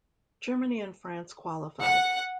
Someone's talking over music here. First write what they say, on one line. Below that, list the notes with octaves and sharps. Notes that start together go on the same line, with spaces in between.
Germany and France qualified.
F#5